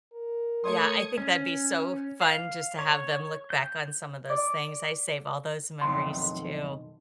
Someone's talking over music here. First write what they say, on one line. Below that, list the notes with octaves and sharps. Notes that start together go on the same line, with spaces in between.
Yeah, I think that'd be so fun, just to have them look back on some of those things, I save all those memories too.
A#4
A3 C#5 C6 D#6 G#6 C#7
C#4
F5
C#5
G6
D5
B1 F2 D#3 C6